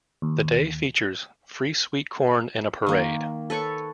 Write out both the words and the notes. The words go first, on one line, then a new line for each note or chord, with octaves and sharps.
The day features free sweet corn and a parade.
D#2
D#3 A#3
A4 B4 C#5 C#6